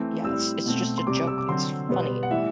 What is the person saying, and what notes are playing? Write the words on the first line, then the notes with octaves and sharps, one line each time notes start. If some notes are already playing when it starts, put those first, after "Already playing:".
Yeah, it's it's just a joke; it's funny,
Already playing: E3 A3 C4
A2 G3 C4 E6
B2 A3 C4
C6
C3 G3 C4 D6
D6
E6
D6
D3 F#3 C4 C6
B2 G3 B3
F#5
A2 E3 G3 E5